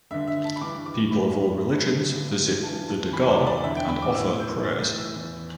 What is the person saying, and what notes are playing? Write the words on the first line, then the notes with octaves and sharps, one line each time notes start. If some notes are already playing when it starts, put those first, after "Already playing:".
People of all religions visit the dargah and offer prayers.
G2 D3 E5
E5
A5
B5
G2 E3 D6
D6
A2 E3 B5
A2 E3
G2 D3
G2 E3 A5
A5
E2 E3 B5
D6
D5
E2 D3 E5
G5
B5
D6
A2 E3 E6
G6
A2 E3 A6
G6
E6
E2 E3